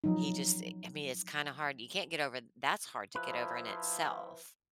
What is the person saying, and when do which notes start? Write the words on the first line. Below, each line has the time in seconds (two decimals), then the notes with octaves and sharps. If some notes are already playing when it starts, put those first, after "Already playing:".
he just i I mean, it's kinda hard, you can't get over that's hard to get over in itself,
0.04 F3 F#3 D#4
3.15 F3 E4 B4